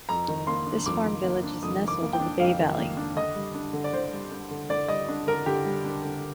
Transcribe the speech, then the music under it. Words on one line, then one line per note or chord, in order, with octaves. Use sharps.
This farm village is nestled in the Bey valley.
F2 A#5
D#3
A#3 C6
D4
F2 D6
D#3
A#3
D4
F2 D#6
D#3
D6
A#3
G5
D4
F2 F5
D#3
A#3
D4
D3 D#5
G3
D4
D3
D5
D3 C5
G3
D4
D3
D3 D5
G3 D#5
D4
D3 A#4
D3 G4
G3
D4
D3